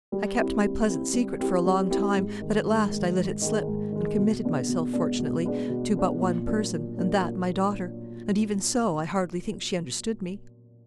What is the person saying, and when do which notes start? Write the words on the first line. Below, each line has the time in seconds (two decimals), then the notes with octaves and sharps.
I kept my pleasant secret for a long time, but at last I let it slip, and committed myself fortunately, to but one person, and that my daughter; and, even so, I hardly think she understood me.
0.12 G3
0.38 C4 E4 G4
0.64 G3
0.88 C4 E4 G4
1.13 G3
1.39 C4 E4 G4
1.65 G3
1.90 C4 E4 G4
2.16 G#2
2.40 D#3 G#3
2.66 G#2
2.91 D#3 G#3
3.17 G#2
3.42 D#3 G#3
3.67 G#2
3.92 D#3 G#3
4.17 B2
4.43 G#3 B3 D4
4.68 B2
4.93 G#3 B3 D4
5.19 B2
5.45 G#3 B3 D4
5.69 B2
5.95 G#3 B3 D4
6.20 A#2
6.46 F#3 A#3 D4
6.71 A#2
6.97 F#3 A#3 D4
7.21 A#2